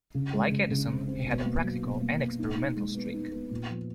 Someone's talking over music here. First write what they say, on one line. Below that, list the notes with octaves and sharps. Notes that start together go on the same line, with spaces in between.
Like Edison, he had a practical and experimental streak.
C#3
G#3
C#3
C#3
C4
C4
B2
A#3
F#3
B2
A#3
B2
D#4
D#4
G#3
B3
D#4
B3
A#2
F3